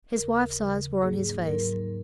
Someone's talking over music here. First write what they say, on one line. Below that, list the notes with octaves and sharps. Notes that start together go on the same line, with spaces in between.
His wife's eyes were on his face.
D#2 C#3 F3 A#4
D#2 C#3 F3
G#2 F#3 A#3 D#4 G#4
G#2 F#3 A#3 D#4 A#4